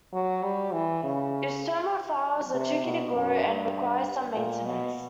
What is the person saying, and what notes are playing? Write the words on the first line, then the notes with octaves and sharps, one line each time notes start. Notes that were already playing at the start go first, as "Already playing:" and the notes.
"Eustoma" flowers are tricky to grow and require some maintenance.
F#3
G3
E3
C#3
C3
B2
F#2
G2
A#2
B2